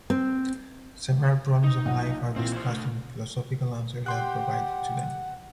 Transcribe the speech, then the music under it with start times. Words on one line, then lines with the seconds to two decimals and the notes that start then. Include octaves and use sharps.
Several problems of life are discussed and philosophical answers are provided to them.
0.10 C4
1.64 D#4
1.85 B1 A#2 F#5
2.36 A#2 E3 C4
2.52 E4 C5
2.68 D3 A3 F6
4.06 G4 F#5 G5 C6 F#6